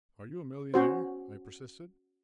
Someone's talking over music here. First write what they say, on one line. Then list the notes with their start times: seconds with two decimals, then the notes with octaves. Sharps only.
"Are you a millionaire?" I persisted.
0.74 C#4 F#4 C5